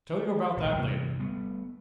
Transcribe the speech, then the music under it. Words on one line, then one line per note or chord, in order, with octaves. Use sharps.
"Tell you about that later."
E1 A#1 G#2 A3
G2 C3 E3 G3
G3 A3 B3